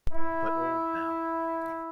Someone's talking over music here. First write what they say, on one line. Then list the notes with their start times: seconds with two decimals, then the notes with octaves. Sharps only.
But old now.
0.12 E4